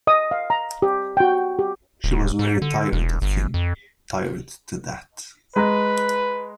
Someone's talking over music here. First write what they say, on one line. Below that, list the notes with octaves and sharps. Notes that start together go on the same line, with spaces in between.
She was very tired of him — tired to death.
D#5 D#6
F5
A#5
G4
F#4 G5
G4
D1
G#2
D3
E1
G1
F2
G#3 B4 A#5 F#6